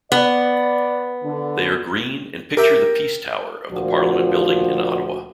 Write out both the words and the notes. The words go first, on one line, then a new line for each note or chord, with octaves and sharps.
They are green, and picture the Peace Tower of the Parliament building in Ottawa.
B3 D5
D3
G4 A#4 E5 A#5
D2 A#2 F3 F#4